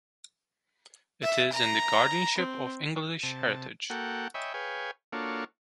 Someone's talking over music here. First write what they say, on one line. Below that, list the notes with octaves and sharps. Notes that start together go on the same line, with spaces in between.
It is in the guardianship of English Heritage.
E5
A#5
C4
C3 A5
A#3 F#4 A4 F#5 G5
C#5 D#5 E5 G5 G#5 B5
G#4 B4 C#5 F5 G5 G#5
A#3 D4 F4 F#4 A4 C#5